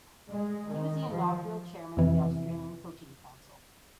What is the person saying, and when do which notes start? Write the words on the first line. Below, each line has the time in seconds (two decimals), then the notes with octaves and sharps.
He was the inaugural chairman of the Australian Coaching Council.
0.28 G#3
0.67 D#3
1.08 F3
1.97 F2 C3 E3